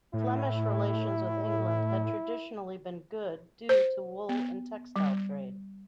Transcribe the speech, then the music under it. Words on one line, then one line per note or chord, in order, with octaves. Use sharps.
Flemish relations with England had traditionally been good, due to wool and textile trade.
A2 E4
C5
B3
G3